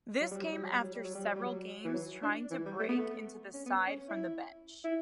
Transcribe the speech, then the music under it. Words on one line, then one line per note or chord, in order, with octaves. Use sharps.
This came after several games trying to break into the side from the bench.
F#3
G3
F#3
G3
F#3
G3
F#3
G3
F#3
G3
F#3
G3
F#3
E3
F#3
D4
E3
G3
A3
B3
A3
C#4
B3
C#4
E4
E4